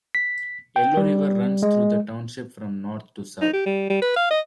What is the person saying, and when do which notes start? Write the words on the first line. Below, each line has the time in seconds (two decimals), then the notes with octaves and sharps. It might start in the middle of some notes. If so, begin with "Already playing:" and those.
Yellow River runs through the Township from North to South.
0.15 B6
0.76 G5
0.97 G3
1.63 G#3
3.42 D#4
3.53 G4
3.66 G3
3.90 G3
4.02 B4
4.16 F5
4.31 D#5